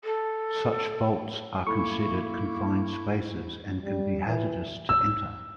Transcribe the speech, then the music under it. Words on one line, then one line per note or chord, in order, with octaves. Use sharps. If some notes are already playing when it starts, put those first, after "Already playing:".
Such vaults are considered confined spaces and can be hazardous to enter.
A4
A#3 E4 A4 B5 C#6
G3
E3
E6